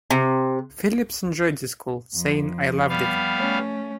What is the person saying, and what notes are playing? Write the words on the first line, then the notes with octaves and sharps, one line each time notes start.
Phillips enjoyed the school, saying, I loved it.
C3
F2
G3 B3 F5
A3 C#4